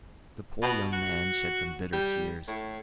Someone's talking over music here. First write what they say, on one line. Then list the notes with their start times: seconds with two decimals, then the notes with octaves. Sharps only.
The poor young man shed some bitter tears.
0.62 B2
0.93 F#4
1.93 G3
2.48 A2